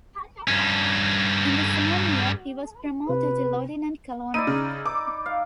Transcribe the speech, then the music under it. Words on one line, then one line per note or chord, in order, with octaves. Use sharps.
In the same year he was promoted to lieutenant colonel.
G2 C#4
C3 B4
D#4 E4 D5 D#7
C#3
D6
F5